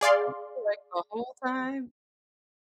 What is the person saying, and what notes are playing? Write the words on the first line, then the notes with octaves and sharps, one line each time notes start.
time. Like, the whole time?
G#4 D5 F5 C6